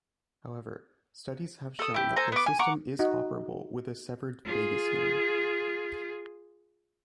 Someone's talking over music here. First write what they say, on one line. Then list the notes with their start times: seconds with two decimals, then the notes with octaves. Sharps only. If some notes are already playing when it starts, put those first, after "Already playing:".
However, studies have shown that the system is operable with a severed vagus nerve.
1.79 A4 D#6
1.94 E4 G4
2.16 A4 C5 G#5 A#5
2.32 B3 D6
2.46 G#5
2.59 F#5 A#5 C#6 D6
2.99 D#4 F#4
4.45 F4 G#4